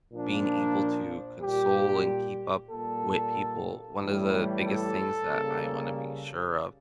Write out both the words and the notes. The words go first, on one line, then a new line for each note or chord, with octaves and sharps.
being able to console and keep up with people. One of the biggest things that I wanna be sure of
A#2 F3 A#3 D4
A#2 G3 A#3 G4
A#2 G3 A#3 A4
A2 E3 G3
A4
C#3 G3 A#3